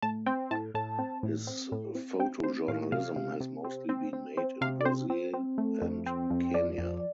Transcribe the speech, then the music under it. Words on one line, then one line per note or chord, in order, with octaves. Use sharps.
His photojournalism has mostly been made in Brazil and Kenya.
A2 A5
C4 G5
A2 A5
A2 A5
C4
A2
C4
A2
C4
C4 G5
C4 C5
A2 F5
C3 F5
C3
C3
C4
C4
C4
C4 C5
C3 F5
D5
C4 C5
C4
C4
A3
F2
C4
F2
F3 D5
F2